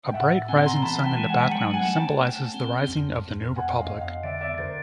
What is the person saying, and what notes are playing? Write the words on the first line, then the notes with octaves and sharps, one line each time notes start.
A bright rising sun in the background symbolizes the rising of the new republic.
G5
A2 E5 F#5
C4 F#5 G#5
A#5 C6
E3 A5 B5
G5 A5
G#3
F#5 G#5
F#3 G5 A5
F#5 G#5
A3
G5 A5
A3
C4
F2
F2
F2 F#5 G#5
D#5 F5
F2
D#5 F5
D3 D5 E5
D5 E5
D3 A#4 C5